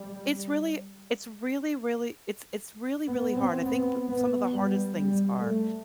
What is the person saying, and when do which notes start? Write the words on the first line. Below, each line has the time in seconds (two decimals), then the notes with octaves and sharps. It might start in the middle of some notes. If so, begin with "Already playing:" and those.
It's really it's really, really it's it's really, really hard. I think p some of the hardest things are.
Already playing: G3
3.07 B3
3.35 C4
3.65 B3
4.09 B3
4.52 G3
4.96 G3
5.39 A3